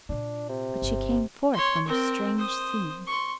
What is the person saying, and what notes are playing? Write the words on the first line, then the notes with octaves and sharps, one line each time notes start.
But she came forth on a strange scene.
A#2 D4 F4
C3
G1
C#5 C6
C4 A#4
C5 D#6
C6 C#6